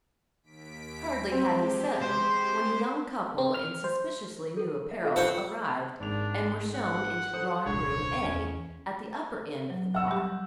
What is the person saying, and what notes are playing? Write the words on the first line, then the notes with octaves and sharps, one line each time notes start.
Hardly had he settled when a young couple in suspiciously new apparel arrived, and were shown into Drawing-Room "A," at the upper end of the car.
D#2 B6 D7
G#3 C4 G4
C5
C4
F6
C5
A4
E5
F4 A4 F5
C4 F4 G4 F#5
G#1 G#2 D4 F7
F#5
A4 C5 D#6
D#1 C2 D3 C#5
E2 C#4
F#3
F#5 E6
G3 G4